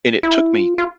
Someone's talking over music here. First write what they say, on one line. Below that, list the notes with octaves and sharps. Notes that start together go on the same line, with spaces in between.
And it took me
E4
F4
F4